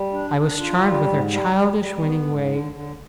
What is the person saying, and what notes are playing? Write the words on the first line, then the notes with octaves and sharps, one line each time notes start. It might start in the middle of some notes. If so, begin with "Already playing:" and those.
I was charmed with her childish, winning way.
Already playing: G3
D4
D4
F4
G3
G#2
G3
G3
G3
B3
G#2
D3
D3